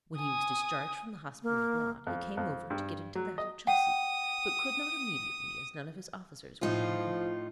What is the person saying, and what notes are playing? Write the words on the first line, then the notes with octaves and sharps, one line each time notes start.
When he was discharged from the hospital abroad he came over to get into that of Chelsea, but could not immediately, as none of his officers were then in England.
G#5 D#6
A#3
F2
F2
G2
F#3
D#5
F#5 G5 D#6
A2 F3 D#4 F4